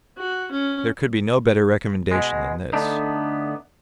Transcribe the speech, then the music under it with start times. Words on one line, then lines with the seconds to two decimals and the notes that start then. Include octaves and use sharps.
There could be no better recommendation than this.
0.18 F#4
0.52 C#4
2.11 B2 G#3
2.73 D3 A3 B3 D4 D#4